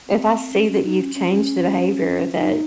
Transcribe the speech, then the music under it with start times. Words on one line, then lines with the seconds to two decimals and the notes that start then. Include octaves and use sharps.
if I see that you've changed the behavior that
0.07 C4
0.53 C#4
0.69 C#4
0.84 D#4
1.00 C#4
1.15 C#4
1.31 C#4
2.33 C#4
2.39 D#4